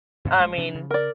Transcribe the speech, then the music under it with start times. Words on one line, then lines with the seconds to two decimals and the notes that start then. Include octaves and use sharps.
I mean
0.25 G2 B2 D#3
0.39 A1 G#3
0.58 C3 F3 D4
0.74 C#3
0.91 A#4 D5